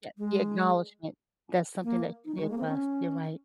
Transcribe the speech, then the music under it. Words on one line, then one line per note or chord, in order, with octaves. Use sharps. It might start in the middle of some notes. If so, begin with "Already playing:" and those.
Yeah, the acknowledgement. That's something that you did last you're right.
G#3
A#3
D#4
F#3
G#3
A#3
C4
C#4